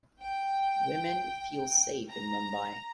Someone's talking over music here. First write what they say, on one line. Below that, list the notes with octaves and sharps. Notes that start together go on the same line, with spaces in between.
Women feel safe in Mumbai.
G5
A#5